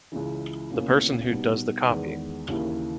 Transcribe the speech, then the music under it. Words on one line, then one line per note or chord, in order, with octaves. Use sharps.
The person who does the copying.
C#2 C#3 E3
C#2 B2 A#3 C#4 E4
B2 G3 B3 D#4
E2 D#3 G#3 B3
D#2 C#3 E3 A#3 E4